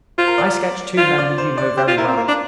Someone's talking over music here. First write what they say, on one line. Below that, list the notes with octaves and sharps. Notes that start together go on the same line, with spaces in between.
I sketch two men that you know very well.
F4 C5
A#4
D5
F4 C5
D5
C5
D5
G4 C5
F4 C5
E4 A#4
C4
A#3
D4